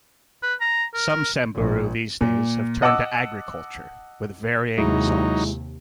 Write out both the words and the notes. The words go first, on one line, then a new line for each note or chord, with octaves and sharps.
Some Samburu these days have turned to agriculture, with varying results.
B4
A#5
A#4
A#1
A#2
D#5 F#5 A5 D6 E6
D#2 C3 F#3 G#3 D#4 E4